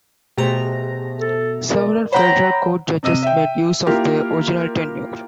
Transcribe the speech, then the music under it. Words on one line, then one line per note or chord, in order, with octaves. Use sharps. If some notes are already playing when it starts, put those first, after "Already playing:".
Several Federal Court judges made use of their original tenure.
B2 A3 G4 G#4 C5 A#5
A4
A#4 D5
C5 C#5 F#5 G5 A#5 B5
C3 D#5 E6 D#7
E5 G5
A#3 E4 F4 G4 A#4